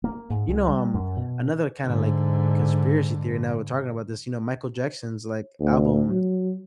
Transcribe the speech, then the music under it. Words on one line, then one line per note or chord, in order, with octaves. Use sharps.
You know, um, another kinda, like, conspiracy theory, now we're talking about this, you know, Michael Jackson's, like, album,
A#3
G#2
C2
G3
F#2
B2
G#2 D3
D2
F#3